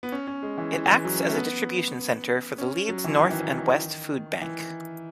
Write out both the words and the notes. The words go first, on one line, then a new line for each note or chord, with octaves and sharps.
It acts as a distribution centre for the Leeds North and West Foodbank.
B3
C#4
C#4
G#3
E3
E3
E3
F#3
C#4
A3
B3
C#4
F#3
E3
D#3
E3
D#3
E3